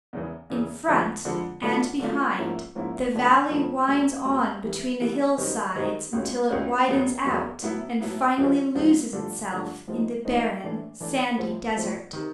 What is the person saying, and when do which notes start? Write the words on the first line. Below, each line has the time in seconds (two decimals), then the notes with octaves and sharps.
In front and behind, the valley winds on between the hill-sides until it widens out and finally loses itself in the barren, sandy desert.
0.13 E2 C#3 E3
0.50 E2 C#3 E3
0.88 F2 D3 F3 G#3
1.25 F2 D3 F3 G#3
1.62 D3 F#3 A3 D4 F4
2.00 D3 F#3 A3 D4 F4
2.38 G#2 F3 A#3 C#4 E4
2.75 G#2 F3 A#3 C#4 E4
3.13 F2 D3 F3 A3
3.50 F2 D3 F3 A3
3.88 D2 C#3 F#3 A#3
4.25 D2 C#3 F#3 A#3
4.63 C3 E3 G3 B3 E4
5.00 C3 E3 G3 B3 E4
5.38 F#2 D#3 G3 C4 D#4
5.75 F#2 D#3 G3 C4 D#4
6.13 C#2 B2 G#3 C#4
6.50 C#2 B2 G#3 C#4
6.88 E2 C#3 F#3 B3
7.25 E2 C#3 F#3 B3
7.62 A2 F#3 B3 E4
8.00 A2 F#3 B3 E4
8.38 C#2 C3 F3 G#3 C4
8.75 C#2 C3 F3 G#3 C4
9.13 G2 D3 F3 A3 D4
9.51 G2 D3 F3 A3 D4
9.87 A2 F3 G#3 C4 D#4
10.25 A2 F3 G#3 C4 D#4
10.63 A2 E3 A3 D4
11.00 A2 E3 A3 D4
11.38 A2 F3 G#3 C4
11.75 A2 F3 G#3 C4
12.13 C3 D#3